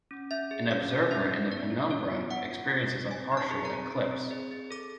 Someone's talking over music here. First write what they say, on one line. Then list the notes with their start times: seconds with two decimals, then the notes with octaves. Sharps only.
An observer in the penumbra experiences a partial eclipse.
0.11 C#4
0.31 C#4 E5
0.51 G#4
0.71 C#4 F5
0.91 C#4
1.11 C#4 E5
1.31 C#4
1.50 B3 D5
1.70 F4
1.91 F4 C#5
2.12 B3
2.31 B3 F#5
2.51 F4
2.71 B3
2.91 D4
3.11 C4 G#5
3.32 D#4
3.37 A5
3.51 G#4
3.65 A#5
3.71 C4
3.91 C4
4.11 C4
4.31 G#4
4.51 G#4
4.71 A4 D6